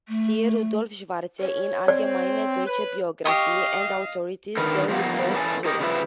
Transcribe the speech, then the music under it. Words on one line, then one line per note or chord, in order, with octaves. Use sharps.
See Rudolf Schwarze in "Allgemeine Deutsche Biographie" and authorities there referred to.
A3
C#5
C4 D5
B4
G4 D#5 F5 C#6 D#6
D3 D#3 A#4 B4
F3 G3 A#3 B3
F#2 E3 G4 A4 G#5
G4 A#4 D#5
C#3 F3 G3 C#4 B4 E5